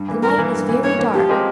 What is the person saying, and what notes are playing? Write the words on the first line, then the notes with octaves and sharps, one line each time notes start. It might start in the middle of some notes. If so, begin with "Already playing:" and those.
"The night is very dark."
Already playing: G2
E3 A#3
G2 A#4
E3 A#3
G2
E3
A#3
G2 C#5
E3 A#3
F3 G4
G#3 C4 G4 A#4